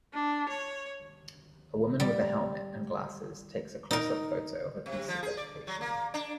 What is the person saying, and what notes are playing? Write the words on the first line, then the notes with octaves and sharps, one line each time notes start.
A woman with a helmet and glasses takes a closeup photo of a piece of vegetation.
D4
C#5
G3
D#4 A#4
C3
F3
G#4
D5
F#3
A#3
D4